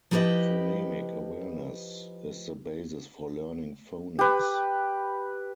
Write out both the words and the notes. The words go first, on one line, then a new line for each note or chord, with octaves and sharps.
Phonemic awareness is the basis for learning phonics.
F3 E4 G4 B4 D#5
G4 B4